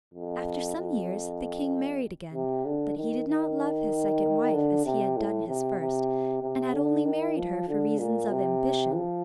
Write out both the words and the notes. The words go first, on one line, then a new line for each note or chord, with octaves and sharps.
After some years the king married again, but he did not love his second wife as he had done his first, and had only married her for reasons of ambition.
F2
F2
C3
D3
D#3
D#3
D3
C3
A2
C3
C3
C3
D3
D#3
F3
D3
A#2
C3
F3